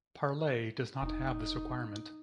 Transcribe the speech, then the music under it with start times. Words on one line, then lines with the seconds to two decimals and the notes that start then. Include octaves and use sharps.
Parlay does not have this requirement.
1.02 F1 D#4